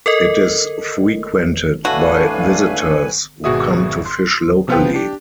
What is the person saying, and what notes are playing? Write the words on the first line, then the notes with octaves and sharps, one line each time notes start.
It is frequented by visitors who come to fish locally.
A4 A#4 D#5
A2 A3 D4 F#4 B4 F5 G#5
G#1 B2 F#4 G#4 E5 D#6
C6
C3 F3 B3 F4 B4 G5
D4 G4